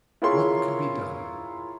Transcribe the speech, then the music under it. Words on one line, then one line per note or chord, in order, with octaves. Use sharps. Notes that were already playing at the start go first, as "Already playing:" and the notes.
What could be done?
E4 F4 G#4 A#4 C#5 C6